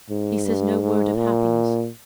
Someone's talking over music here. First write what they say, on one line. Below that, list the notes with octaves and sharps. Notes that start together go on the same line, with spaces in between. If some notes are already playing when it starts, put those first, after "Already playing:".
He says no word of happiness.
G#2
G2
G#2
A#2